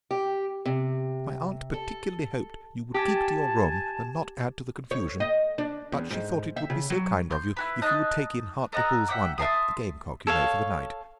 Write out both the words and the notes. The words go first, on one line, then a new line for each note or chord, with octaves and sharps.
My aunt particularly hoped you would keep to your room and not add to the confusion, but she thought it would be so kind of you if you would take in Hartlepool’s Wonder, the gamecock, you know, for the night.
G4
C3
A4
G4 G#5 A5
C#5
D#5
D4
E2
G#2
E5
C#3
F#3
C6 G6
E4 F#4 B4
D#4 D#5 A5 F#6
A4 D#5 F#5 A#5
E5 F#5 G5 D6
E5 A5 C6 D#6
A4 C#5 F5